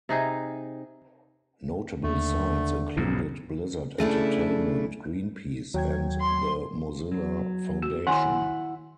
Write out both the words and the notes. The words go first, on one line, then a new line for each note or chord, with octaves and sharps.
Notable sites included Blizzard Entertainment, Greenpeace, and The Mozilla Foundation.
C3 D#4 G#4
D#2 D3 A3
B1 G#2 B2
C#3 A3 D4 E4
D#2 F#3 G5 G#6
C6
F#3
F#4
D#3 E4 F#5 G#5 C6